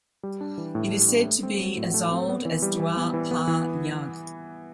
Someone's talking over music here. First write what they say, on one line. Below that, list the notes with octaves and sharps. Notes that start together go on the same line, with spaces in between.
It is said to be as old as Dwapar Yug.
G3
D4
E3
A2
G3
D4
A3
C4
F#3
A2
A3
C4
B3
E3
G3
E3
B3
E3
B3
E3